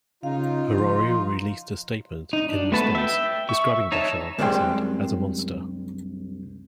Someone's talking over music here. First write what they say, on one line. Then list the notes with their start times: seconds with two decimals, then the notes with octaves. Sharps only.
Hariri released a statement in response, describing Bashar Assad as a "monster".
0.23 C#3 D#4 F4 F5
0.78 F3 C6
2.33 D#4
2.49 D4
2.72 A3 B3 F#4 B4 A5
2.95 E5 G5
3.49 E5 C#6
3.92 D#4 C#5 E5 A5
4.39 C2 F#2 G3 G#3 G5 C6